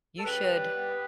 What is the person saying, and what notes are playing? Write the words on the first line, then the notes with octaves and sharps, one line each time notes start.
You should
A4
C#3 G4 B4
C#3
G3
B3
B3